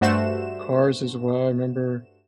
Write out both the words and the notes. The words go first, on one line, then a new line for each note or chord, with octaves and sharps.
Cars as well, I remember,
G2 A3 F#4 C5 E7